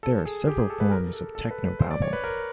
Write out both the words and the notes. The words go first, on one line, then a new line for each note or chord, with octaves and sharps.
There are several forms of technobabble.
A4
G#4
G4
G#4
A4
B4
A#4
A4
A4
B4
B4
C5
D5
C#5
B4
A#4